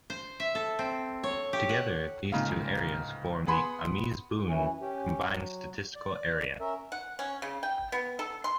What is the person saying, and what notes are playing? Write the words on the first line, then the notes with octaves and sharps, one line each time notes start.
Together, these two areas form the Ames-Boone Combined Statistical Area.
C5
E5
A4
C4
C#5
G4
F#5
D1 G#2 C#3 F4 F5
B3 G#4 F#5 B5 C6
F#2 E3 C#4
C#4 G4
F#3
D5
C#4 A#4 E5
F#5
C#4
C#3
G5
B3
A4
C6